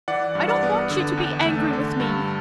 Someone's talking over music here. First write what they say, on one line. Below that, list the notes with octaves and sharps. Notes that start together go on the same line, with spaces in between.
But I don't want you to be angry with me.
E3 D5 F#5
G2
D5 F#5
B3
D3
E2
A3
D3
G2